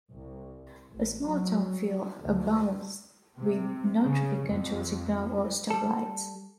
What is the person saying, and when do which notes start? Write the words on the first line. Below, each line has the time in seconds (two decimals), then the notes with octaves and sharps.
A small-town feel abounds with no traffic control signals or stop lights.
0.11 C2
0.89 A1
1.27 F#3
2.20 D2
3.35 C3
4.01 C#3
4.49 F2
5.70 G3 A4